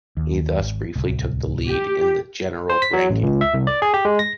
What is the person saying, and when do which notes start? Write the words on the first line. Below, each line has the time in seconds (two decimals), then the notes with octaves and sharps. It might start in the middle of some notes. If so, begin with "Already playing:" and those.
He thus briefly took the lead in the general ranking.
0.17 D#2
0.60 G#1
0.95 D1 C2
1.67 G4
2.70 C5
2.82 B6
2.93 F#3
3.10 A1
3.23 C#2
3.41 E5
3.54 C2
3.67 D5
3.82 G#4
3.94 G4
4.05 G#3
4.19 A#6